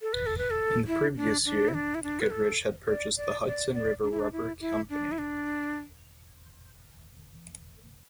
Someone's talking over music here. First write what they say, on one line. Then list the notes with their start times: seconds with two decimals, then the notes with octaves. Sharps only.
In the previous year, Goodrich had purchased the Hudson River Rubber Company.
0.02 A4
0.13 B4
0.26 A4
0.38 B4
0.50 A4
0.87 E4
1.17 D4
1.46 D4
1.68 E4
1.74 D4
1.95 E4
2.03 D4
2.20 B4
2.30 A4
2.88 D5
3.17 D5
3.46 D5
3.74 D5
4.03 D4
4.11 E4
4.19 D4
4.32 E4
4.61 E4
4.90 D4
5.12 E4
5.18 D4